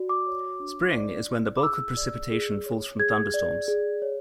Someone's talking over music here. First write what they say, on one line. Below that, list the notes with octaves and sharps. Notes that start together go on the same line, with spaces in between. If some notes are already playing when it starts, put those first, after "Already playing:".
Spring is when the bulk of precipitation falls from thunderstorms.
Already playing: F#4 D5
D6
C#5
D4
D5
E4
D6
G#4 E6
D5
G#4
C#5
G#4 G#6
D5
G#4
C#5